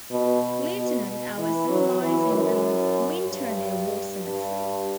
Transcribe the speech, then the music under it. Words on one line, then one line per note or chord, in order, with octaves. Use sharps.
Lieutenant Allison lies in the Minturno War Cemetery.
B2
B2
E3
F#3
E3
F#2
G2
G2